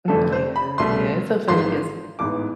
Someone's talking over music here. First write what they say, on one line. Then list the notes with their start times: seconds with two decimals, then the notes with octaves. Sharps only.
Mm, yeah, yeah, it's so funny 'cause
0.08 F1 F2 D3 A3 A4
0.32 C5
0.56 B5
0.78 C2 B2 A3 C6
1.48 G#1 G#2 E3 G#3 C6
2.19 A1 G#2 E3 B3 D6